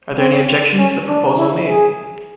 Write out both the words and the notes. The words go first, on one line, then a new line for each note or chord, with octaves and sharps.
Are there any objections to the proposal made?
C4
C#4
D4
E4
G#4